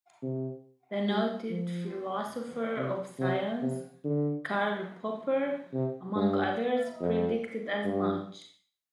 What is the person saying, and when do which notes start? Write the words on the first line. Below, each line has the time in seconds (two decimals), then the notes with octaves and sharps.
The noted philosopher of science, Karl Popper, among others, predicted as much.
0.23 C3
1.08 G3
1.50 F3
2.77 C3
3.19 C3
3.62 C3
4.04 D3
5.73 C3
6.16 G2
7.00 F2
7.85 G2